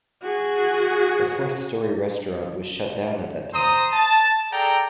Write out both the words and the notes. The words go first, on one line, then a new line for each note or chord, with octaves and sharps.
The Fourth Story restaurant was shut down at that time.
F#4 G#4
C5 A#5 D#6
A5
G#4 A4 D5 G5 A#5